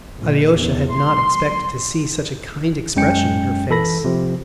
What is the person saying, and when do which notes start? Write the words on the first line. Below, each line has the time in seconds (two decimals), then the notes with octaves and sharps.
Alyosha had not expected to see such a kind expression in her face....
0.21 A#1
0.56 E2
0.95 C6
2.96 F#2 G#3 C#4 G5 C#7
3.70 E3 A4 B5 A#6
4.04 C3 F3